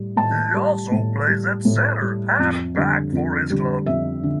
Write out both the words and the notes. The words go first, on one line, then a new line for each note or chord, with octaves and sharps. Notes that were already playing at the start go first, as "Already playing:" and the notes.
He also plays at centre half back for his club.
Already playing: A2 G3
A2 A5
G3
A2
G3
A2
G3
F2
D3 G3
F2
D3 G3
F2 E5
D3